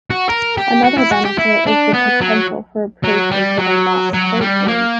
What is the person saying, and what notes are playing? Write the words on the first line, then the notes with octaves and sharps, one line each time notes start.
Another benefit is the potential for approaches that are not straight- in.
F#4
A#4
G4
F#4
E4
F#4
G4
E4
D4
B3
F#3
F#3
G3
F#3
F#3
G3
A#3